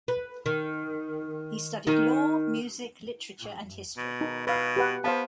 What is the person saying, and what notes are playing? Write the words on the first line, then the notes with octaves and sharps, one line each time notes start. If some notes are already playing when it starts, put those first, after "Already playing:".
He studied Law, Music, Literature and History.
B4
D#3
D#3 D#4
B2
D#4
B2 B4 F5
G4 B4 F#5
B3 C5 F5 A5